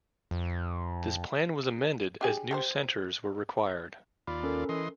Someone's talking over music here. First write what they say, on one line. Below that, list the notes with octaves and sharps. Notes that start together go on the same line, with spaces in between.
This Plan was amended as new centres were required.
F2
D4 G4 G#4
G4 A#4 C5
D#2 F4 D5 B5
C#4 A4 A#4
E3 D#5 C6